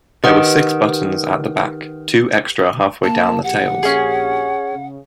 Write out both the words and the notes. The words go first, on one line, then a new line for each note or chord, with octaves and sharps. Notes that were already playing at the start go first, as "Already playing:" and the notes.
There were six buttons at the back, two extra halfway down the tails.
D#3 G4 B4 F#5
A#3 A5
A#1 G4 F#5
C#4 G#4
C#3